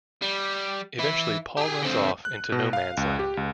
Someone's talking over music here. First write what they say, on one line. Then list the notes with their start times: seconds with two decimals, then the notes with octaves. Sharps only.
Eventually, Paul runs off into no-man's land.
0.22 G3
0.99 E3 E4
1.57 G4 G#4
1.82 D3 C4
2.25 F#6
2.52 B2
2.73 F5
2.97 C#2
3.19 G4
3.37 C#2